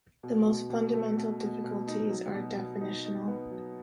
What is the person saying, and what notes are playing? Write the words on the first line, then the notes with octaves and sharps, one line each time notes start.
The most fundamental difficulties are definitional.
B2
B2
B2
A3
B2
B2
B2
D#4
F#3
B2
B2
D#4
D#4
B3
F#3